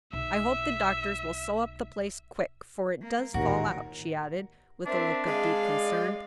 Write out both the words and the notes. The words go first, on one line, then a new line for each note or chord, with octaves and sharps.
"I hope the doctors will sew up the place quick 'fore it does fall out," she added, with a look of deep concern.
B1 E5
A#3
A1 D#2 A#2 D#3 F#4 A#4
C4 D4 A#4 E5
G#3 F5
D5